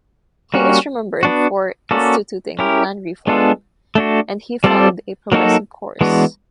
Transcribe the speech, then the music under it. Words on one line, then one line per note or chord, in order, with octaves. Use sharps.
He is remembered for instituting land reform, and he followed a progressive course.
G3 A#3 C#4 F#4
B3 D4 F#4
A#3 C#4 F#4 A4 D5
C#4 E4 G4 A#4
G#3 B3 D4 F4 A4
A3 D4 F#4
G3 C4 F4 A4 D5
F#3 A#3 D#4 F#4 A4
E3 G#3 B3 D4 F#4